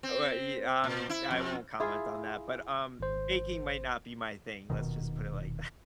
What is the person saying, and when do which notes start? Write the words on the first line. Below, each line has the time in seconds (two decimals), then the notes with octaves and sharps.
uh, wa ye um, I won't comment on that, but, um, baking might not be my thing, let's just put it like
0.03 C4
0.84 A#2
1.10 E4
1.31 F2
1.80 E4 F4 G#4 F5
3.00 G#1 C5
4.70 D#1 B2 D#3